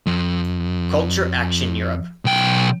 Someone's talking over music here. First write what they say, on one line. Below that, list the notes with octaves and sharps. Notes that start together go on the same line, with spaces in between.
Culture Action Europe.
F2
B1 G5